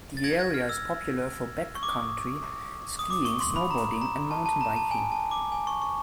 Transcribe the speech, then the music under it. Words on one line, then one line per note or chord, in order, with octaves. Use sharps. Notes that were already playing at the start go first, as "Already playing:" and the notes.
The area is popular for backcountry skiing, snowboarding, and mountain biking.
A6
G#6 A#6
G#6 A#6
F6
E6
C#6
D6
D#6
D#6
D6
C#6
C6
B5
A#5
A#5
A5
A5
A#5
A5
G#5
A5
D6
G#5
C#6
C#6